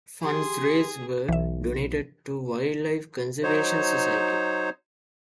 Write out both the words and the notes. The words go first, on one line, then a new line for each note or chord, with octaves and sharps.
Funds raised were donated to Wildlife Conservation Society.
G4 G#4 C6
B1 E3 E5
F#3 D#4 C5 C#5